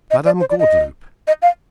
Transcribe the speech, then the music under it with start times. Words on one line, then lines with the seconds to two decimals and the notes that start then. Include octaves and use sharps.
"Madame Gordeloup?"
0.11 D#5
0.25 D5
0.40 C5
0.50 D5
0.59 D#5
1.27 D#5
1.42 F5